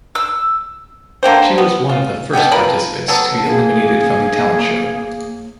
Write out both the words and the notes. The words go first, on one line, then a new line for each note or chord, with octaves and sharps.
She was one of first participants to be eliminated from the talent show.
E6
D3 A#3 G4 C5
B3
F4
B2 D#3 B3 G4
F3 A#4 B4 B5
F#3 B3 A4
A#3 G#4